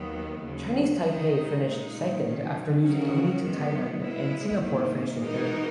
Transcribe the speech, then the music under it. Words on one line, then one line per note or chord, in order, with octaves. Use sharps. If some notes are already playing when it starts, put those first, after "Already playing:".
Chinese Taipei finished second after losing only to Thailand and Singapore finished in third.
Already playing: D#2 D#3 F#3 B3
D#2 C#3 F#3
D#3 G#3 D#4
A#2 G#3 D#4
F#2 D#3 F#3
C#3 F#3 C#4 F#4 A#4
F#2 D#3 G#3 B3
B2 G#3 B3 E4
G#2 D#3 A#3
E3 G#3 D#4 F#4 A#4